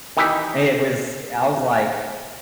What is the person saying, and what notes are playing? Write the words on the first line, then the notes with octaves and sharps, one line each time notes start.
It was I was like,
D#3 E3 D#4 E4 G4